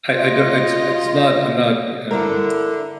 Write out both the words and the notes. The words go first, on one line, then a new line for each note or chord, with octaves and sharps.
I I don't it's it's not I'm not, eh, mm,
F4 D#5
D3 E4 A#4